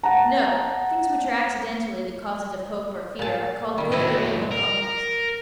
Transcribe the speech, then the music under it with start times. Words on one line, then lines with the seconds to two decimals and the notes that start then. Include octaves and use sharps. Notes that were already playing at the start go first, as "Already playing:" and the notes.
Note.--Things which are accidentally the causes of hope or fear are called good or evil omens.
0.03 F#5 A5 A#5
3.19 A#2 A5
3.78 D#3 G3
3.92 F2 F#3 E4 D#5
4.51 A#4